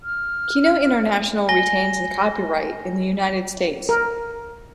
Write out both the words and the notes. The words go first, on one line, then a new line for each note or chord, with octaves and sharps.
Kino International retains the copyright in the United States.
F6
G#5 A#6 G7
A#4